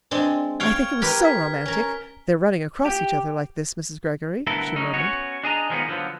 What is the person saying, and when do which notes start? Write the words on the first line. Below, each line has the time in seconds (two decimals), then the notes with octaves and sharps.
"I think it was so romantic--their running across each other like this, Mrs. Greggory," she murmured.
0.11 G#3 C4 D4
0.60 C#5 F5 G5 F6 G#6
1.02 G4 A#4 B4
1.25 B6
1.66 C#4 A#4
2.86 G4
4.47 D2 G2 B3 E4 A4 A#4
4.76 F#3 C#4 D#4
4.93 B3 C#4 F#4 C#5
5.43 D4 G#4 D#5 A#5
5.70 D#3 F3 G#3 A3 B3 D#4
5.88 D3 F3 F#3 B3